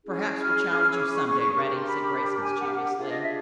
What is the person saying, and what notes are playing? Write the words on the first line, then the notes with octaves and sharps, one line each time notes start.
"Perhaps we'll challenge you some day, Reddy," said Grace mischievously.
C#4 E4 G#4
F6
F6
E6
D6
C#6
C#6
C#6
D4 G4 A#4 C#6
C#6
C6
B5
G#5
F#5
F5
F#5
D4 F4 G#4 F5
D#5
E5